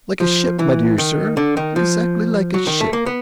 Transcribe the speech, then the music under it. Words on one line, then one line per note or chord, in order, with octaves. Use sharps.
'Like a ship, my dear sir,--exactly like a ship.
F3
E3
D#3
D3
D#3
F3
F#3
D#3
A3
A#3
B3